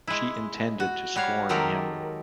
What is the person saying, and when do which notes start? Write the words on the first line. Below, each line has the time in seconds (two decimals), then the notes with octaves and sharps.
She intended to scorn him.
0.07 G#3 E4
0.80 F#4
1.16 G3 F#4 C#5 F5
1.49 D#3 F#3 G#3 G4 A4 A#4